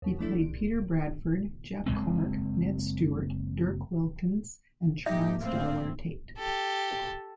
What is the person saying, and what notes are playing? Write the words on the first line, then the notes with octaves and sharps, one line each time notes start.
He played Peter Bradford, Jeff Clark, Ned Stuart, Dirk Wilkins, and Charles Delaware Tate.
D#2 B2
E3 F3 A3 D4 E4 A4
C2 D7
F#1 E2 G#3 C4
G#2 A#3 D#4 G4 E5
A2 C4 F5
G4 A4